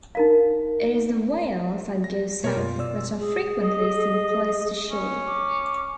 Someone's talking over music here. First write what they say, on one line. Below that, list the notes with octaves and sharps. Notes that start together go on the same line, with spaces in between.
It is the whales that go south that are frequently seen close to shore.
D#4 A#4 F5
A#6
B2 B3 A#4 C#5
F#2 F4
B2 D5 E6
G#4
D#5
C#4
D6